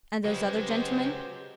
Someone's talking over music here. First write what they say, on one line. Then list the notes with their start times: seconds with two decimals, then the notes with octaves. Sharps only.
'And those other gentlemen?'
0.25 C#3 F#3 G#3 G4 B4 C5